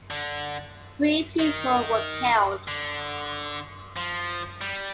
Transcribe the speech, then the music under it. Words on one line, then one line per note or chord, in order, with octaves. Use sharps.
Three people were killed.
D3
D#3
D3
F3
G3